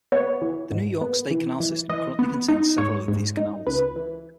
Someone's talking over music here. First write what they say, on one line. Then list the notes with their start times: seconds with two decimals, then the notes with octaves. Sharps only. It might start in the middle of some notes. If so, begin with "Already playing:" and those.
The New York State Canal System currently contains several of these canals.
0.12 B3 C#5
0.42 E3
0.71 G#2
1.01 B3
1.31 E3
1.60 E3
1.89 E3 D#5
2.19 B3
2.48 D#4
2.78 G#2 C#5
3.08 G#2
3.37 D#4
3.67 C#2 B4
3.96 E3